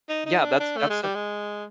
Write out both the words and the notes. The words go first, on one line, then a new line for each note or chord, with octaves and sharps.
Yeah, that's that's an
D#4
D#4
D4
D4
A3
G#3
G3
G#3